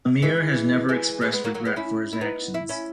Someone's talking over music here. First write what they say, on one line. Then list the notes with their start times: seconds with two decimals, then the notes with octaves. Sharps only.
Amir has never expressed regret for his actions.
0.22 E3 G#3
0.89 E3 G#3
1.21 E3 G#3
1.32 G#3 B3
1.44 F#3 A#3
1.54 F#3 A#3
1.65 G#3 B3
1.76 C#4 E4
2.13 E4
2.21 B3 D#4
2.54 E4
2.69 C#4 E4